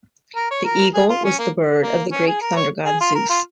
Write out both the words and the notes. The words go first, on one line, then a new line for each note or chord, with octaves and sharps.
The eagle was the bird of the Greek thunder-god Zeus.
A#4
C#5
A#4
G#4
F4
C#4
A#3
A#3
C#4
G#4
A#4
C#5
G#4
F4
A#4
F4